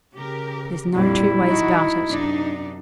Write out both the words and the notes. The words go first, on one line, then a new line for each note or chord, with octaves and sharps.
There's no two ways about it.'
C#3 G4 A#4
F2 A#2 G3 D4 E4
F#3 D#4 F#4
F#2 C3 D4 D#4